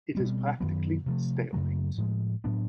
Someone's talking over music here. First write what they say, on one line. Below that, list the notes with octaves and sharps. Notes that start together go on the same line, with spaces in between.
It is practically stalemate.
B2 G3 C4
F#2 D#3 F#3 B3
C3 F3 A3
F#2 C#3 F#3 A3
A2 F3 G#3
A2 F#3 B3 D4